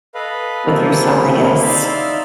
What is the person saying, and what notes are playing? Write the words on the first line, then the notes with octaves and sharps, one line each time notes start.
with yourself, I guess.
A4 B4 D#5 F5 B5
A#3 C4 E4 F4 G4 A4
A#3 E4 G6
D#4 D5 E5 F5 C6 E6